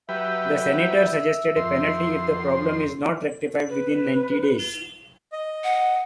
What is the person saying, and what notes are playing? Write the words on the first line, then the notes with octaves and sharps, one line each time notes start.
The Senator suggested a penalty if the problem is not rectified within ninety days.
F#3 G4 B4 E5
F2 C6
B4
D#5
F#5